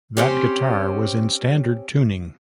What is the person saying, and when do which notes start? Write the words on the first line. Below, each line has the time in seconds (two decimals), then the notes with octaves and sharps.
That guitar was in standard tuning.
0.17 C4 C#4 G4